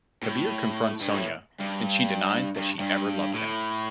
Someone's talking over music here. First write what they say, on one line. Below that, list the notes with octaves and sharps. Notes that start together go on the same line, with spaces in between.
Kabir confronts Sonia and she denies that she ever loved him.
A2
G2
A2
G2
G2
G2
A2